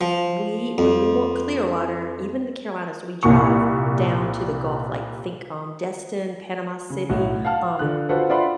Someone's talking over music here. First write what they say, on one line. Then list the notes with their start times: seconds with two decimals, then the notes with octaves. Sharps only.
we when we want clear water, even in the Carolinas, we drive down to the Gulf, like, think, um, Destin, Panama City, um
0.01 F3
0.78 F2
3.23 C2 A#2 C#6
6.90 C#3
7.09 B1 A2 F#4
7.45 F5 F#5 A5 F6
7.79 D3 F4 F#6
8.09 F4 F#4 A4 B4 C5 F#5
8.30 F4 D5 E5 F#5 B5 C6